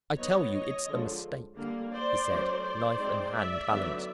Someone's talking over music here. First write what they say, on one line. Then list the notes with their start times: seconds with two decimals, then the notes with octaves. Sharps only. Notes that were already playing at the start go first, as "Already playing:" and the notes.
"I tell you, it's a mistake," he said, knife and hand balanced.
0.17 F#3 B3 D#4 C#5 D#5
0.53 C#5 D#5
0.87 D3 F3 G#3
1.57 D3 G3 A#3
1.92 C5 D5
2.28 F#3 A3 C#4
2.62 C5 D5
2.97 G#3 C4 D#4
3.32 D5 E5
3.67 D3 F#3 B3 D#4